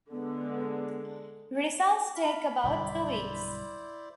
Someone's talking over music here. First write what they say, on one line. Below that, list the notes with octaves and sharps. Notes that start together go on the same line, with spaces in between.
Results take about two weeks.
D3 G#3 B3
F5 B5
B1 G2 D3 E4 C5 D5